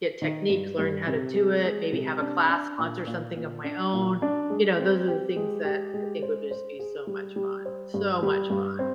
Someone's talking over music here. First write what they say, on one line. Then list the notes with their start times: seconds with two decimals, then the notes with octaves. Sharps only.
get techniques, learn how to do it, maybe have a class, sponsor something of my own. You know, those are the things that I think would just be so much fun, so much fun.
0.22 D#3
0.50 G2
0.78 G2
1.07 C3
1.36 G#3
1.64 G#3
1.92 C3
2.21 D4
2.49 D4
2.78 A#2
3.07 A#2
3.36 A#2
3.64 D4
3.93 A#2
4.22 D4
4.50 G#3
4.79 C4
5.08 G4
5.36 G#3
5.65 G4
5.94 G#3
6.22 C5
6.51 C5
6.79 G#4
7.07 G3
7.36 G3
7.65 C5
7.94 G2
8.23 G3
8.50 G2
8.79 C4